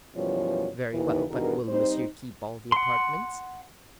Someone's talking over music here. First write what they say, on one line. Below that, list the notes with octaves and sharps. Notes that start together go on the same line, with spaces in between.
"Very well; but will monsieur keep all the apartments?"
F#2 B2 E3 F3 G3 C#5
D#2 E3
E2 G2 B2 D#3 A#4
G3 C4 D#4 C5
F#5 C6